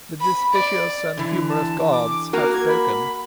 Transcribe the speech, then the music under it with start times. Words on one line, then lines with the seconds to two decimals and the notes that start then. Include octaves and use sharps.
The dispiteous and humorous gods have spoken.
0.21 B5
0.53 D5
1.17 D3 E3
1.48 A5
1.92 D6
2.33 A#3 F#4 A#4 D6
2.53 G#6
2.68 B5